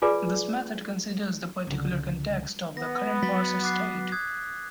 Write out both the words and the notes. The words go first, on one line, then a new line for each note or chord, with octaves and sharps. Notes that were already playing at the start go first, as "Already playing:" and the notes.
This method considers the particular context of the current parser state.
F4 G#4 B4 D5 G#5 D6
C#2 D3
B3 A#6
F#3 A6 B6
D6 F#6 C7
D#6 F#6 G#6